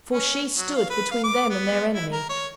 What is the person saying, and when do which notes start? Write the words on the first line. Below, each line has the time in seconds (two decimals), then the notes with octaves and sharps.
For she stood between them and their enemy.
0.13 C#4
0.57 F#3
0.76 F5
0.90 B4
1.11 F5
1.24 D6
1.50 B3
1.94 E4
2.12 A#4
2.29 C#5